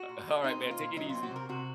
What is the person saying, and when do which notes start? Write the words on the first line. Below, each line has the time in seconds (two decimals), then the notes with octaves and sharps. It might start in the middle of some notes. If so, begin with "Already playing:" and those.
Uh, alright, man, take it easy.
Already playing: F#4
0.09 A#2
0.28 G#3
0.44 C4 D#4
0.61 A#2
0.71 F4
0.79 A#2
0.97 F#3 D#4
1.09 F4
1.15 C4
1.23 F#4
1.31 C3 A#4
1.49 C3 F#4